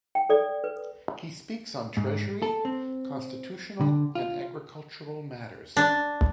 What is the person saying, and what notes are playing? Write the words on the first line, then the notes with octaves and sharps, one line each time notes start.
He speaks on Treasury, Constitutional, and Agricultural matters.
G5
A4 D5
B4
G#2
A4
C4
D3
F4
D4